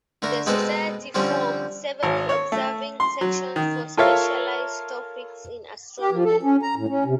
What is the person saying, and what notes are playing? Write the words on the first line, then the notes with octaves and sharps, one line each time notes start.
The society formed several observing Sections for specialised topics in astronomy.
D3 A3 A#4
B2 G#3 B3 C4 A4
D3 F3 G3 C4 C#4
G#1
C#5
A3
C6
F#3
D#3
F4 A4 A#4 C#5 E5 F5
G4
F3
A4
C#4
A#5
A2
C#4
C3